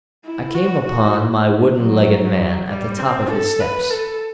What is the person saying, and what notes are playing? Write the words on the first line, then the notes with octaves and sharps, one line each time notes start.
I came upon my wooden-legged man at the top of his steps.
E4
F#4
F#4
E4
F#3
G3
C4
A4
B4
A4